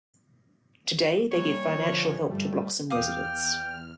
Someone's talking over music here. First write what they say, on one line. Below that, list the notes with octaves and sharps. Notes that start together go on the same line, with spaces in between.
Today they give financial help to Bloxham residents.
E3 G3 A#3 C#5
D3 F3
G2 G3 A3
E2 F5 G5 D6 D#6 F6